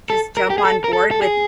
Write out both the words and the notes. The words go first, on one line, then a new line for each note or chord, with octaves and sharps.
just jump on board with
A4
A#4
G4
G#4
A4
A#4
A4
A4
G#4